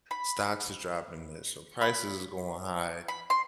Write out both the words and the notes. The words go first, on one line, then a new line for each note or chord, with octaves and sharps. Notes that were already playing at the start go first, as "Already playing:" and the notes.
"Stocks is dropping this," or "Prices is going high."
B5
B5
B5
C6